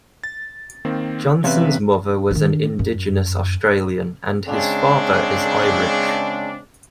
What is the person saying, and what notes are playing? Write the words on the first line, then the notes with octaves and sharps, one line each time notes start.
Johnson's mother was an Indigenous Australian and his father is Irish.
A6
D#3 A#3 C4
E2 C3 C#4 B4 E5 F5
D#3 D4
F#2
C#3 G#3 C4 D4